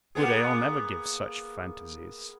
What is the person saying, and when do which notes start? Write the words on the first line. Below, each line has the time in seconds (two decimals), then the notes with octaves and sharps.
Good ale never gives such fantasies.
0.15 A#3 B3 G#4